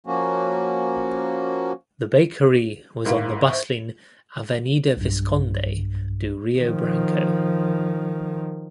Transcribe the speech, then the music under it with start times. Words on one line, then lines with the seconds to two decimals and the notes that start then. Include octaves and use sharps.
The bakery was on the bustling Avenida Visconde do Rio Branco.
0.07 F3 A#3 C#4 F#4
3.05 G#1 G#2 E4 A#4 F5
3.49 C5 E5 C#6
4.97 B1 G2
6.59 D#3 F3